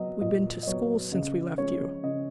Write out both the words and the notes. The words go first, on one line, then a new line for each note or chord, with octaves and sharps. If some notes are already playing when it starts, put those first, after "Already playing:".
"We've been to school since we left you."
Already playing: F#3 B3 D#5
A#2 D#5
D#5
F#3 B3 C#5
C#3 D#5
F3 G#3 C#4 C#5
C#3 D#5